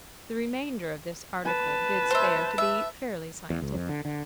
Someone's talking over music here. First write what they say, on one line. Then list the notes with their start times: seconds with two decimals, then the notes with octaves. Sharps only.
The remainder of this article bids fair to be fairly scientific.
1.45 B4 A5
2.10 C5 E5
2.58 E5
3.50 E2
3.62 C#2
3.74 F2
3.89 D3
4.05 D3